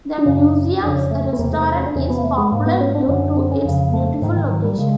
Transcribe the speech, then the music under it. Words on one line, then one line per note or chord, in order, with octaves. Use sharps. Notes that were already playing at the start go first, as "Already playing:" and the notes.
The museum's restaurant is popular due to its beautiful location.
D4
F#2 C#3 C#4
F2 C#3 D4
C#4
A3
B3
E2 C3 A#3
A3
C#4
D4
E2 C3 C#4
B3
A#3
A3
G#3
G#2 A#3
B3
C#4
D4
C4
F#2 D3 C#4
C4
C#4
F2 C#3
A3
G#2 D#3
D#3
F#3
G3
C#3 G#3